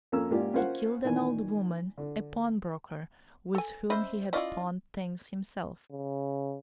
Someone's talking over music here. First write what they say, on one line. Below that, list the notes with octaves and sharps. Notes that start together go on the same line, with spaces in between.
He killed an old woman, a pawnbroker, with whom he had pawned things himself.
F2 A#3 C#4 A4 A#5 E6
G#2 A#3 C#4 F4 G4 D5
C#4 F4 A#4 C5 F#5
A#2 D#3 E3 G#5
D3
A4 G#5
C#4 C5 D#5 E5 B5
C#4 E4 F4 D5 D#5
C#3